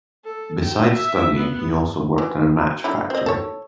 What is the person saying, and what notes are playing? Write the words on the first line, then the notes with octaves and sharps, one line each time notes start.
Besides studying, he also worked in a match factory.
A4
G5
E5
B3
E3
D3 F#3 E4
C4 D#5
A4 C#5